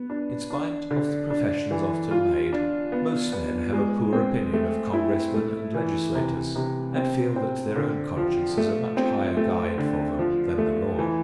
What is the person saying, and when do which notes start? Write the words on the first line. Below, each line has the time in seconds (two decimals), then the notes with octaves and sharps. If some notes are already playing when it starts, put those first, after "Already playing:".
In spite of the professions often made, most men have a poor opinion of congressmen and legislators, and feel that their own conscience is a much higher guide for them than the law.
Already playing: B3
0.10 D4
0.50 D4
0.91 D3
1.30 D4
1.71 E3
2.11 F4
2.53 D4
2.92 B3
3.33 B3
3.73 G#3
4.13 C4
4.53 A3
4.93 E4
5.34 A3
5.74 E3
6.15 C3
6.56 C3
6.96 C4
7.36 C4
7.76 D3
8.17 F3
8.57 A3
8.97 C4
9.37 A3
9.78 D3
10.19 F3
10.58 A3
10.99 E3